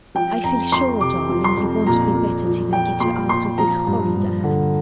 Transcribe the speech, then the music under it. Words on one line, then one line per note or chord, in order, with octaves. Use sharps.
'I feel sure, darling, you won't be better till I get you out of this horrid air.
F3 G5
F2 A#5
F2 C6
C3 D6
F3
C6
F2
A#2 A#5
A#2
F3
F3 G5
A#2 C6
A#2 C6
F3 A#5
G2
G2
D3